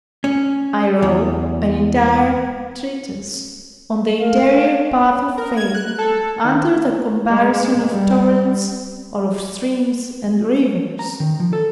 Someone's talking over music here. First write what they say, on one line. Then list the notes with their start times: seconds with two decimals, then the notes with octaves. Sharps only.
I wrote an entire treatise on the interior path of faith, under the comparison of torrents, or of streams and rivers.
0.24 C#4
1.02 E2
4.19 A#4 F5
4.52 C#5
5.37 A#4
5.57 G#6
5.74 F#6
5.98 A4
6.44 D#3
7.29 G#3
7.92 G3
10.99 A#5
11.20 D#3
11.40 F3
11.53 A4